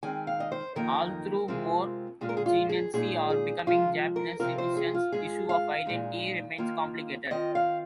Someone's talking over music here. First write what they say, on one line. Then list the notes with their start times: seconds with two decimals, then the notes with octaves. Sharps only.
Although more Zainichi are becoming Japanese citizens, issues of identity remain complicated.
0.03 D#3 G#3 C4 G#5
0.27 F5
0.40 D#5
0.52 C5
0.76 F2 D#3 A#3 D#4 A#4
1.48 C3 G#3 C4 F4
2.21 A#2 G#3 F4 G#4
2.29 A#4
2.37 G#4
2.46 F4
2.69 G#4
2.93 A#2 G#3 D#4 G#4
3.30 G#4
3.66 C3 F3 G#3 F4
4.16 A#4
4.40 C3 F3 C4 F4 A#4
4.58 C5
4.77 G#4
4.95 F4
5.12 G#2 G#3 F4 G#4
5.49 F5
5.86 A#2 G#3 D#4
6.58 D#3 A#3 F4
7.31 D#3 C4 F4 D#5
7.55 F5